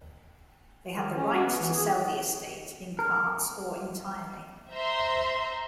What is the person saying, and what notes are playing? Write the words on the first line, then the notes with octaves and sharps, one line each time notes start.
They had the right to sell the estate, in parts or entirely.
D#3
C#4
F#4
B3
E3
G#4
A#4
C5 E5 A#5 C6